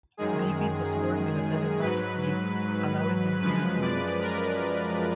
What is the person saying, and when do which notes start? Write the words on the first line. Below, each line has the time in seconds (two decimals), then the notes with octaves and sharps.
David was born with a telepathic gift allowing him to read minds.
0.17 F#2 D#3 G#3 G#4
1.80 G#2 F#3 B4
3.40 F#2 F3 G#3 B4
3.81 D5
4.21 A#4